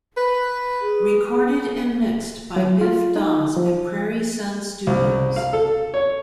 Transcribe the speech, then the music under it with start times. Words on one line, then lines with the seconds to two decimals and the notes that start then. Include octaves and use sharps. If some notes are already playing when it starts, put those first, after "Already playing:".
Recorded and mixed by Biff Dawes at Prairie Sun Studios.
0.17 B4
0.81 G#4
2.56 F#3
2.81 F4
3.16 D#4
3.57 F3
4.87 C2
5.36 F5
5.53 A4
5.94 C#5